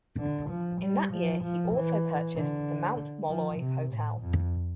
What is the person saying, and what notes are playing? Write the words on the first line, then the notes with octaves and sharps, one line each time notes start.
In that year he also purchased the Mount Molloy Hotel.
D3
F3
G3
F3
F3
E3
D3
F3
C3
A2
F2